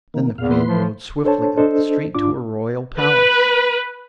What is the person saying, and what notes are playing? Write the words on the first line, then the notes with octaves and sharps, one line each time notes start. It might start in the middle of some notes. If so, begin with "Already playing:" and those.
Then the Queen rode swiftly up the street to her royal palace.
D#3 A#3
E2 A#2 F5
E3 B4 C6
F3
D4 A4 C5 C#5 A5
D4 A4 C5 D#5
G#2 D4 F4 D6
B4